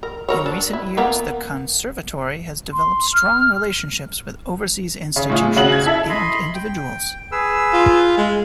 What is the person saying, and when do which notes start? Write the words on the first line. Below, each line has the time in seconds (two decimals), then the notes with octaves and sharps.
In recent years, the Conservatory has developed strong relationships with overseas institutions and individuals.
0.03 A#4
0.29 F#3 A#4 C#5
0.46 D4
0.73 E4
0.97 A#3 B3 A#4
2.73 C6
3.14 F6
5.16 C#3
5.30 A2 F4 G#4
5.56 C#3 F#4 F#7
5.72 G#6
5.86 E4 A4 E5
6.10 D#5 B5 C6
6.55 G5
7.32 G#4 B4 E6
7.73 F4
8.18 G#3